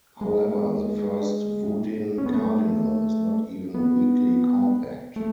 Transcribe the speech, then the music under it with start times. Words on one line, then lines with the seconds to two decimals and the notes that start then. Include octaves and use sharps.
However, the first Woodin cardinal is not even weakly compact.
0.21 G#3
2.18 C#4
2.26 B3
2.34 A3
3.74 B3
5.16 A3